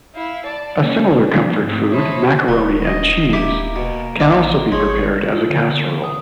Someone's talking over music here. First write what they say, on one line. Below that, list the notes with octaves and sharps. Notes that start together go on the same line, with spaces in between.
A similar comfort food, macaroni and cheese, can also be prepared as a casserole.
E4 F5
D5 A5
G3 A#3 C#4 C#5
F3 C#4 D4
G#2 A3 C4
C5 C#5 D#5 E5 A5 B5
D#1 F#3
D#5
A#3 E4 G4 D6 B6
B2
A1 D#5 F5 D6
G#1 G#3 C#5 C6
F4
D3
D#6